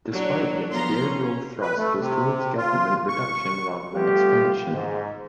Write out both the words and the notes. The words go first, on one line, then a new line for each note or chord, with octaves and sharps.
Despite this, the overall thrust was towards government reduction rather than expansion.
F#3 D4 C#5 D5
F3 B3 F4 A#5 C6
C#4
B4
A3
C3
F4
C#6
G3 A3 B3 F4 G4
G#2